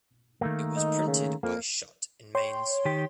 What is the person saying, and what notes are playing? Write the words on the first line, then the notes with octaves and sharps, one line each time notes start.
It was printed by Schott in Mainz.
D#3 A3 A#3
D#4
C#3
F2 A#3
C#5 G5 C6
D#3 G4